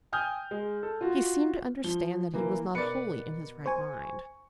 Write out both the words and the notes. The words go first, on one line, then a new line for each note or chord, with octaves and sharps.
He seemed to understand that he was not wholly in his right mind.
G5 G#5 D#6 F6 G6
G#3
A4
F4 F#4
F3 G7
E3 A#3
B2 A#4 B4 D5 C#7
C5 G#5 C#6